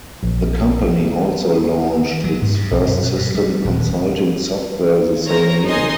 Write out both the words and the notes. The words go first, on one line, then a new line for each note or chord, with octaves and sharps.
The company also launched its first system consulting software the same year.
A#1
F#3
G#2
G2
B1
F#2
B2
G2
G3
D#1
A#4 C5 C#5 A#5
D#4 D#5 G#5 C6